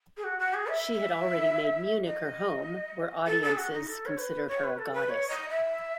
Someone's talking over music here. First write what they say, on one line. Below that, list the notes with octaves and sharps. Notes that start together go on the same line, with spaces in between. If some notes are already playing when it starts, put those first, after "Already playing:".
She had already made Munich her home, where audiences considered her a goddess.
G#4
F#4
F#4
G#4
E5
D#5
A4
A4
G#4
F#4
D#4
A4
C#5
B4
C#5
B4
A4
B4
C#5
D#5
E5